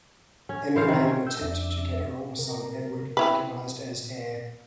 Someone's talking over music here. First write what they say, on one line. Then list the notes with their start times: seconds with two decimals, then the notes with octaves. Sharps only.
Emma made an attempt to get her oldest son, Edward, recognized as heir.
0.49 C#4
0.76 E3 C5 F5
0.88 C3 D#3
1.01 C#4
1.27 E6 G6
1.41 F2 D4 E5
2.39 C3 A#4
3.17 C4 E4 B4